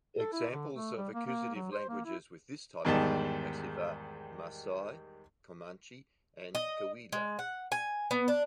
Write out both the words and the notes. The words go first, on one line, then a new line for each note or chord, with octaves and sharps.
Examples of accusative languages with this type of antipassive are Maasai, Comanche and Cahuilla.
A4
E4
D3
A3
G3
A#3
A#3
F#3
C5
A#3
E4
E2 G#2 D#3 G3 G4 A5
D#5
G#3
F#5
G#5
B3
D4